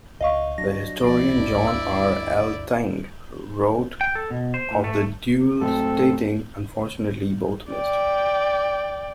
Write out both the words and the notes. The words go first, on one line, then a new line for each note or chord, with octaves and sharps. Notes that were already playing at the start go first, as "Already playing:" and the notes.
The historian John R. Elting wrote of the duel, stating, Unfortunately, both missed.
C#2 D#5 F5 C#6
F#3 D4 A#6
F3 E4 D5
G1 D2 G2
E6
G5
A4
B2
C5
A2
A3
G#2 F#3 A3 C4 A4
D5 G5